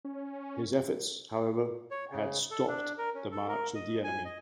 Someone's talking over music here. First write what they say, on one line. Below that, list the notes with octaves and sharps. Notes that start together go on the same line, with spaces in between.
His efforts, however, had stopped the march of the enemy.
C#4
C#5
C#3
A4
D4
A#4
C#4
A4
A#4
D#5
G#5
D#5